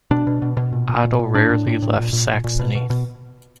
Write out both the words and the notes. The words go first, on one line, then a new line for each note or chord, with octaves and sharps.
Otto rarely left Saxony.
B2 D4
B2
B2
B2
A#2
A#2
A#2
A#2
A2 D4
A2
A2
A2
A#2
A#2
A#2
A#2
B2
B2
B2